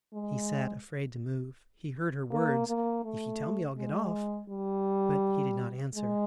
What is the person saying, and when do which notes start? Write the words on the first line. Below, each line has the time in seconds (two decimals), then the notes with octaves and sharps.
He sat afraid to move, he heard her words, "If you tell me, I'll get off," but he did not answer.
0.14 G#3
2.31 A#3
2.67 A#3
3.04 A3
3.77 G#3
4.49 G3
5.95 G#3